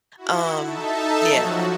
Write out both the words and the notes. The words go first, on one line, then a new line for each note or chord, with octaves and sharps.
um, yeah,
E4 F#4
D#4 A4 E5 A5
F3 F#3 F#4